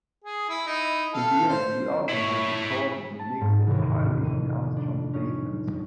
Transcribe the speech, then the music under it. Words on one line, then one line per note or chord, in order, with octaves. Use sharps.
In the end, the album was recorded and mixed entirely in Armstrong's basement.
G#4
E4
D#4 E4
A4 F5 A5
C5
E4 C#5
A5
G#2
D#2 A2 C3 E3
F2 D#7
D4
C#4 D#4